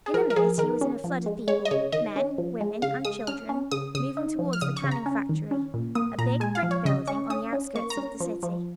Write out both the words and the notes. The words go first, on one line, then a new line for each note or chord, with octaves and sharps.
In a minute he was in a flood of people, men, women and children moving towards the canning factory, a big brick building on the outskirts of the city.
G#4
F3 A#4
A#4
F3 G#4
D#3 A#4
C#4
F3
G#3
G#3 C#5
D#5
C#3 C#5
D#3 D#5
C#4
F3
G#3
C#3 F5
G#3 D#6
C#4 F6
C#4
C#3 D#6
C#3 D#6
D#4
F3
F6
C#3 D#6
C#6
C#3
A#5
C#4
D#3
C#4
A#2
A#3 D#6
A#2 A#5
G#3 G#5
F5
F3
C#5
C#3 D#5
C#4 C#6
C#4 D#6
C#4
A#3 C#6
A#5
C#4
F3
F3